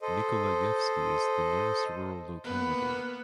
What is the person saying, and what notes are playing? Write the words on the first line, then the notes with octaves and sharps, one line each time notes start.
Nikolayevsky is the nearest rural locality.
A4 C5 D#5
A#3 B3 B4